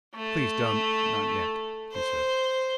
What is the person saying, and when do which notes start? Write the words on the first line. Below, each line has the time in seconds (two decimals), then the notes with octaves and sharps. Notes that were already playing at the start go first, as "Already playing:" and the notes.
"Please don't--not yet," he said.
0.16 A3
1.93 C5